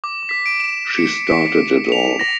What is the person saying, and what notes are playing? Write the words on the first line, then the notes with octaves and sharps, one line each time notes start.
She started it all.
D6
B6
D7
E7
C#7
B6
F7
A#6